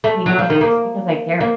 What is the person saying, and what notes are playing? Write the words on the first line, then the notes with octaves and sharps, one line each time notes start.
he knows it's just because I care.
A3
F#3
F3
D#3
A#3
A#3